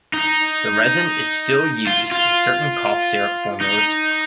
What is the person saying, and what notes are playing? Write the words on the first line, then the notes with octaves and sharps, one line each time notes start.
The resin is still used in certain cough syrup formulas.
D#4
F4
F4
D#4